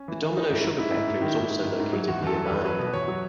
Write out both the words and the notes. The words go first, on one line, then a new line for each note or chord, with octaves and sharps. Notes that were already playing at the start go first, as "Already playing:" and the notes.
The Domino Sugar factory was also located nearby.
Already playing: C#4
E3
E3
E3 D#4
G#2 E4
G#2
G#2 E4
G#2
G#2
D#3
G#2
D#3
G#2
G#2
F#3
E2 F#4
E2 A4
F#3
E2 B4
F#3 B4
B2
E2 C#5
F#3